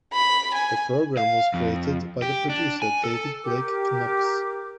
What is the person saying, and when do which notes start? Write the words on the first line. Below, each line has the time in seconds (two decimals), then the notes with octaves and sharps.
The programme was created by the producer David Blake Knox.
0.13 B5
0.54 G#5
1.17 F5
1.54 F2
2.22 G4
2.50 D4
2.82 G#5
3.04 A4
3.43 G4 A#4 D6